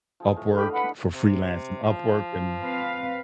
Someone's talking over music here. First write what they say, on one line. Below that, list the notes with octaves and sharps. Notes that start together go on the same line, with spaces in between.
Upwork for freelancing Upwork and
F3 G#4
A2
D4 G4 D#5 F5 B5
B4 F#5 B5
C3
F3
C4 B4 F5